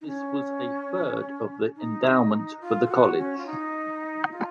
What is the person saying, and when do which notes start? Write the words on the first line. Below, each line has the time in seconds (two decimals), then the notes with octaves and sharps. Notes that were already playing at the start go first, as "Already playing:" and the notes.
This was a third of the endowment for the college.
0.01 D#4
0.07 C#4
1.76 D#4
2.61 F4
2.86 A4
2.90 F#4
3.18 C#4
3.38 F4
3.46 D#4
4.31 F4